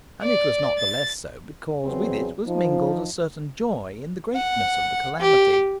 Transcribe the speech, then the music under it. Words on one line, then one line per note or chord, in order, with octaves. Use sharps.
And it was not the less so because with it was mingled a certain joy in the greatness of the calamity.
D5
A6
E2 C#3 F#3 C4 G#4 B4
F3 D#4
F#5
G4